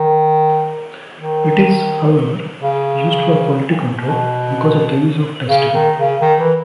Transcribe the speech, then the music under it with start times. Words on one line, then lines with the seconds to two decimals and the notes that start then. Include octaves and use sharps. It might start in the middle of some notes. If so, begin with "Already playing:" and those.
It is, however, used for quality control, because of the ease of testing.
Already playing: D#3
1.17 D#3
2.62 C#3
4.05 B2
5.49 C#3
5.74 D#3
5.98 C#3
6.21 D#3
6.39 E3